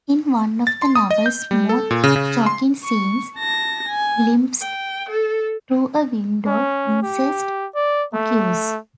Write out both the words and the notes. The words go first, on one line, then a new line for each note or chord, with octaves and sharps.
In one of the novel's more shocking scenes, glimpsed through a window, incest occurs.
A6
C6
D#6
D#5
G6
G3
A4
A#2
C#3
C#3
C6
C#6
A5 A#6
G#5
G5
A4
C#4
G4
D5
A3